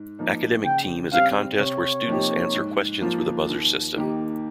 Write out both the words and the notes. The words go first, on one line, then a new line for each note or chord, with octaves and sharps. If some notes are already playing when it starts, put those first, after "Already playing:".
Academic team is a contest where students answer questions with a buzzer system.
Already playing: G#2
F3 A#3 D#4
C#3 G5
G3 C4 F5
C3 C#5
F3 A#3 D#4 G4
G#2
F3 A#3 F4
D#2
D#3 A#3 D#4 G4